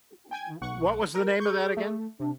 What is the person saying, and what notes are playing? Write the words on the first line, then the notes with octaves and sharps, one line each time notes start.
W w what was the name of that again?
G5 G#5 G#6
B1 F#5 C#6
A#4
G#4 C#6 G6
A3
C3 D4